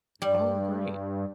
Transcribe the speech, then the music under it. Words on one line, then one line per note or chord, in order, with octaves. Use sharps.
Oh, great.
G2 G3